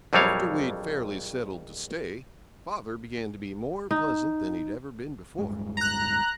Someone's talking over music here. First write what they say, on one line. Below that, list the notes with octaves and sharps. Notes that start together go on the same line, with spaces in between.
After we'd fairly settled to stay, father began to be more pleasant than he'd ever been before.
A#1 F2 F#3 G3 C#5 F5
D#4
D1 G2 G#3
A#5 F#6